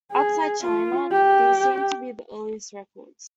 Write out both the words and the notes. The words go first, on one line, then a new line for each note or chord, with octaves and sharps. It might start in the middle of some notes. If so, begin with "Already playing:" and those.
Outside China, these seem to be the earliest records.
G#4
F4
G4